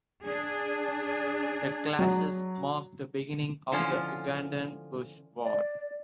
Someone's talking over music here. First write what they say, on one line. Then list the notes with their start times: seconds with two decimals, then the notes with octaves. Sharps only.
The clashes mark the beginning of the Ugandan Bush War.
0.24 D4 G#4
1.99 F#3
3.72 D3 E3 F3 C#4 F4
5.43 D5